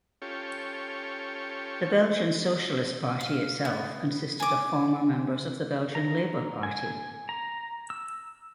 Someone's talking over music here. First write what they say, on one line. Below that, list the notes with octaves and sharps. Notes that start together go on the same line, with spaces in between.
The Belgian Socialist Party itself consisted of former members of the Belgian Labour Party.
C#4 F4 G4 A4 C#5
F5
B3
G#5 D6
A#5
G#5
A#5
E6